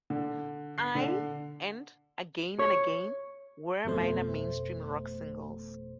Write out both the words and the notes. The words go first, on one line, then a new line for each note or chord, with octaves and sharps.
"I" and "Again and Again" were minor Mainstream Rock singles.
D3
C7
D3
C#5
G1 F2 B2 A3 C5